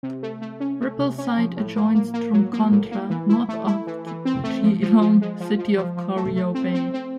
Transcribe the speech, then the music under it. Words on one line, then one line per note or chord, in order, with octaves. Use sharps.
Rippleside adjoins Drumcondra, north of Geelong City on Corio Bay.
C3
A3
A3
C#4
A3
C3
C#4
F3
A2
A#3
A#3
A#3
F#3
A#3
A2
A#3
E3
E4
A3
E4
E3
E3
C4
A3
F3
F3
F3
G#3
F3
F3
F3
F3
A3
A3
C4
C4
C4